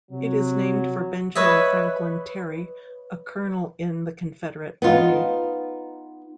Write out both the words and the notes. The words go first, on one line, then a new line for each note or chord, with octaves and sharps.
It is named for Benjamin Franklin Terry, a colonel in the Confederate Army.
C3 F#3
B4 C#5 D#5 E5
B3 D#4 F4